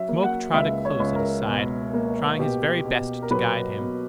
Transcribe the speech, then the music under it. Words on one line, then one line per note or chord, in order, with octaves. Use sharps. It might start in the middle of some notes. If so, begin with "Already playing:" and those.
Smoke trotted close at his side, trying his very best to guide him.
Already playing: F#3 E5
A#3
F#5
C#2 E5
C#5
C#2
A#4
B2
A#3
B2 G4
B2
A#4
F#3 B4
B3